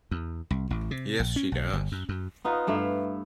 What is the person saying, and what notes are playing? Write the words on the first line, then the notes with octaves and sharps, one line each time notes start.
Yes, she does.
E2
C2
A1
C3
A#1
C#4
B1
G1
F#2
F#2
B3 D#4 F4 B4
G2 A3 E4 F5